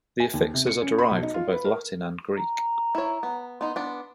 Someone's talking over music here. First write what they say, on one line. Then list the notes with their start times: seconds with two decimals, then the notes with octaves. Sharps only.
The affixes are derived from both Latin and Greek.
0.20 G#5
0.34 D#2
0.54 C3
0.67 C#7
0.82 C#4
0.98 B5
1.11 B1
1.23 D#4
1.34 F4
1.52 B4
1.65 A#4
2.37 A#5
2.95 E4 C#5
3.23 B3
3.61 B3 D#4 C6
3.76 B3 D4